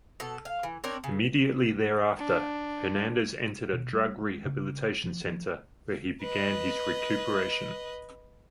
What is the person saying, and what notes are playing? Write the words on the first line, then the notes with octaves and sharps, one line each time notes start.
Immediately thereafter, Hernandez entered a drug rehabilitation center where he began his recuperation.
B2 A4
F5
E3
C4 D4 A#4 C#5
C#3
D4
B2
G3
G#3
C#3
F3
F3
B4 D#5